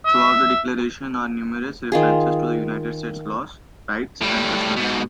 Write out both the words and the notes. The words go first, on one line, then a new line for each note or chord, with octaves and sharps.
Throughout the declaration are numerous references to the United States laws, rights, and customs.
E5
D#3 F4 G#4
A2 G3
G#2 B2